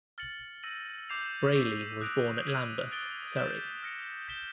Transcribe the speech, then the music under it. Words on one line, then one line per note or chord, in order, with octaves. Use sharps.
Brayley was born at Lambeth, Surrey.
F6 A6 C#7 F#7
E6 G6 A#6 D#7 F#7
D6 G6 C7 F7
C#6 E6 G6 B6 D#7
D#6 F#6 A#6 D7 F7
F6 G#6 B6 D#7 F#7
D#6 F#6 A6 D7 G7
G6 B6 E7
F6 A#6 C#7
G6 B6 E7 G7